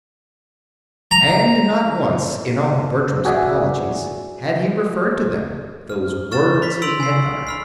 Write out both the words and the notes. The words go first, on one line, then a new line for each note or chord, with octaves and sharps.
And not once, in all Bertram's apologies, had he referred to them--those words he had uttered.
A#5
F#4 G#4 D5 E5
F6
C#6 F6 A6 E7
B5 C#6 B6
C6 E6 B6 D7 F7 F#7
G#5 C7
B5 F6 C7